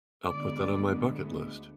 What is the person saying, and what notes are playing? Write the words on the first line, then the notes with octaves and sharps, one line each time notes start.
I'll put that on my bucket list.
D2 D3 G#3 B3 D5